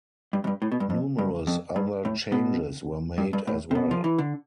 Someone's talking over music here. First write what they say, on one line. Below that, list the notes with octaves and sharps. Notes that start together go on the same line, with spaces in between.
Numerous other changes were made as well.
G2
F2
G2
A2
B2
G2
F2
G2
F2
G2
A2
B2
G2
G2
A2
C3
B2
F3
E3
D3